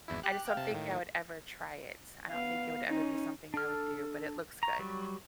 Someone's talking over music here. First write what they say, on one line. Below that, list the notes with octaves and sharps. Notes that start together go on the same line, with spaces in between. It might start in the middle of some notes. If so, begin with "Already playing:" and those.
I just don't think I would ever try it. I don't think it would ever be something I would do, but it looks good,
G#1 E2 E4
G4 F#6
F5 G5 D6
C3 A5
A2 D#3
B3 F5
C#4 D#4
D4 A4 F6
A#5 C#6
F#3 G3